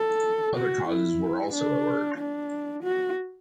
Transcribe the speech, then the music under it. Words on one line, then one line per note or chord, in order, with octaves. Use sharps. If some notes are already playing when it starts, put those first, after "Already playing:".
Other causes were also at work.
Already playing: A4
F#4
E4
D4
D4
F#4